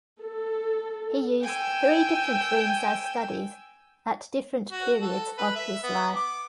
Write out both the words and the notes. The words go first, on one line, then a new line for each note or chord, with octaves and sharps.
He used three different rooms as studies at different periods of his life.
A4
G5 G#5 E6
F#4
A4
B4
E5
B3
D6